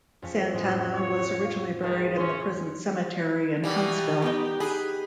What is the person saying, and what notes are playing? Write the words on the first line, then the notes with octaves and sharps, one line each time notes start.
Satanta was originally buried in the prison cemetery in Huntsville.
F2 C#4 B6
A2 G#3 B3
C#5
F5
C#2 D#3 B4 A5
C#4 C6
B2 E3 G3 G4
B3 D#4 G5
G#4 B4